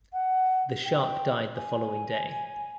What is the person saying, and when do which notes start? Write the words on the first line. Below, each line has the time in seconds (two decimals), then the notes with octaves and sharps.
The shark died the following day.
0.13 F#5
0.84 G5
1.56 G#5